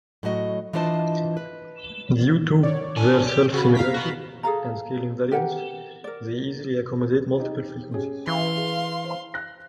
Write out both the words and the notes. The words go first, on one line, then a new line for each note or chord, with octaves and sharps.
Due to their self-similarity and scale invariance, they easily accommodate multiple frequencies.
A2 F#3 F#4 D#5
E3 D4 F4 C5 D#5 A5
B4
C#5 D5
D4 G#5
G4
C#3 C4 F#4 B5
F5 A#5 B6
B3 F#4
G#4 A4 F5 A#5
G4 A#4 F#5
A#4 D5
D#4 G4 D#5
C#4 G4 G#4
E3 F5 C6
G#4
C5
F#6 A#6